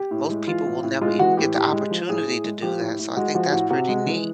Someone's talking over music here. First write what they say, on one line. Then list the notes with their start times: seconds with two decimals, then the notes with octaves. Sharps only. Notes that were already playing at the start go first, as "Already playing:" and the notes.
most people will never even get the opportunity to do that, so, I think that's pretty neat.
Already playing: G4
0.11 A2
0.29 G#3
0.47 E3 F4
0.66 A2
0.83 A2
1.01 G#3 F4
1.19 E3 F#4
1.37 A2 G4
1.55 A2 G4
1.73 G#3
1.91 F3
2.09 A2 G#4
2.27 A2
2.44 G#3
2.62 F3 G4
2.81 A2
2.99 A2
3.17 G#3 F#4
3.35 F3 F#4
3.52 A2 F#4
3.70 C3 F#4
3.88 G#3
4.06 E3